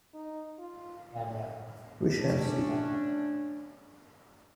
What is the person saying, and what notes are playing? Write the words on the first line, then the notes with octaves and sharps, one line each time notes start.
We shall see.
D#4
F4
A3 C#4 D4